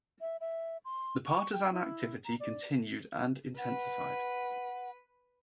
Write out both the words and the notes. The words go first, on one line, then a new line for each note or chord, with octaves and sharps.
The partisan activity continued and intensified.
E5
E5
C6
C#6
G5
E4
A#5
D5
B4 F#5